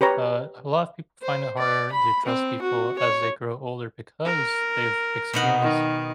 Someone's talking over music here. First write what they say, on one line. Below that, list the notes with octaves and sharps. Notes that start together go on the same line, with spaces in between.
Uh, a lot of people find it harder to trust people as they grow older, because they've experienced
G4 B4 C#5 A#5
C5
D5
B5
C4
F#4
C#5
A#4
B2 D#4 F#5
D#3